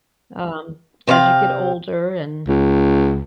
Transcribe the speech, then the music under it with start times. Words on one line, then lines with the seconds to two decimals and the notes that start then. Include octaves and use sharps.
Um, as you get older and
1.07 C3 C5 C#5 F5 G5
2.48 C#2